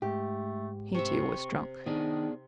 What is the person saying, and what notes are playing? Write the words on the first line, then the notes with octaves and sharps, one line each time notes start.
He too was drunk.
G#2 A3 G4
C3 E5 C#6
D#3 B3 D4 G#4 D5